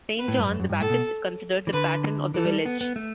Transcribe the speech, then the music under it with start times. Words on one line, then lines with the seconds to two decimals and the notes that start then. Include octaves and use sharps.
Saint John the Baptist is considered the patron of the village.
0.18 B4
0.28 A2
0.38 G2
0.49 F#2
0.60 F#2
0.70 G2
0.80 A2 A4
0.90 B2
1.67 E3
1.73 D3 B4
2.34 E3 A4
2.45 G3
2.66 B3
2.81 B3
2.96 A3